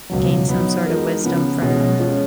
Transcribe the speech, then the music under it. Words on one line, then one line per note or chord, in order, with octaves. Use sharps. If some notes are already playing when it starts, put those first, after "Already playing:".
gain some sort of wisdom from 'em.
C#2 B2 F#3
F#3 B3 D#4
F3 G#3 D#4 F#4 A#4
C#3 F3 B3
B2 G#3 C#4 F#4
F3 G#3 C#4